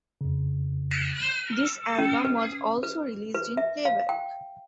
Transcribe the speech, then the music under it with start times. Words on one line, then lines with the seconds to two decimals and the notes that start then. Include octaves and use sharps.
This album was also released in playback.
0.21 F2 C#3
1.98 C#4
2.25 B4
2.83 B4
3.35 B4
3.57 E5
3.85 F5
4.09 G5